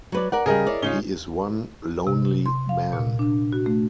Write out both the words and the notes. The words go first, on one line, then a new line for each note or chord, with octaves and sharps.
He is one lonely man.
F#3 B4 D5
A#4 D5 F#5
C#3 G3 G#4 A#4 D#5
E4 C#5 D5
C#3 C#4 D#4 F4 G7
C3
C6
F5
A#2
D4
F#4
A3